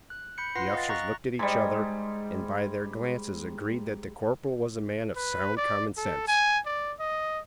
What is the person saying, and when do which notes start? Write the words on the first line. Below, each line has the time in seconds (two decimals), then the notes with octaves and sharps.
The officers looked at each other, and by their glances agreed that the corporal was a man of sound common sense.
0.10 F#6
0.38 B5 G6 C#7
0.56 F4 B4 F#5 C6 A#6 C7
0.73 D#5 F5 G5 A6
0.89 A#5 C#6 F#6 A#6
1.39 G#2 G3
5.16 B4
5.57 D5
5.98 A4
6.28 G#5
6.66 D5
7.00 D#5